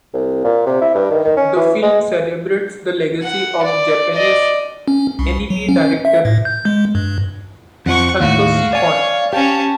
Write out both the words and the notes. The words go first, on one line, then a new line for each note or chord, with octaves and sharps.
The film celebrates the legacy of Japanese anime director Satoshi Kon.
C2
A#2
C3
E4
G2
D#3
D#3
C#4
E3
G#3
F#5
D5
D5 D#5
C#4
C2
F#3
C#4
E5
A2
G6
G#3
G2
F2 F3 F#5 C#6
D#2 A2 F#4 F5
C#5 D5 G#5
C#4 G4 A5